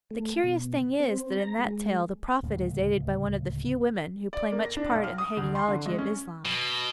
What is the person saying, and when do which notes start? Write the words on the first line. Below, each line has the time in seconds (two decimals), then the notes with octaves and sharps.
The curious thing is that in that tale the prophet is aided by one of the few women who play much part in the hagiology of Islam.
0.11 A3
0.44 B2
1.00 C4
1.38 A#5
1.59 G#3
2.42 D1 C#2 C#3 A#3
4.33 D5
4.52 A#3
4.65 A#6
4.77 D4
4.90 B1
5.04 F6
5.18 D#6
5.37 D2
5.55 C6
5.68 D3
5.86 G#3
5.98 C#4
6.45 B2